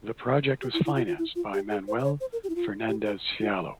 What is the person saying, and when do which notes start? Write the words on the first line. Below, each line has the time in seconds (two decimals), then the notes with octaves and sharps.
The project was financed by Manuel Fernandez Fiallo.
0.62 G4
0.74 E4
0.86 E4
0.96 F4
1.08 F4
1.19 E4
1.36 F4
1.54 G4
1.70 G#4
1.88 C5
1.99 C5
2.04 C#5
2.21 C5
2.33 A#4
2.44 G4
2.49 E4
2.55 F4
2.89 G4
3.06 G#4
3.41 F4